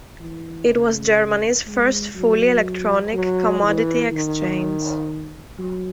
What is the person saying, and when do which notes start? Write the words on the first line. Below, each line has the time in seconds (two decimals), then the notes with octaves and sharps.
It was Germany's first fully electronic commodity exchange.
0.20 E3
0.69 C#3
1.66 G#3
2.16 F#3
3.13 F#3
3.63 E3
4.12 D#3
5.59 F#3